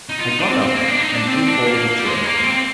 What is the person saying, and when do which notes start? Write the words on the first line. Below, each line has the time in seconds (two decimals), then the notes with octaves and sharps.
I got up and drew forward a chair.
0.09 D#4
0.19 F4
0.28 D#4
0.39 D4
0.48 C4
0.62 C4
0.75 A#3
0.88 D4
1.01 D#4
1.14 D4
1.27 C4
1.47 D4
1.66 A#3
2.00 G3
2.06 G#3
2.25 A#3
2.44 C4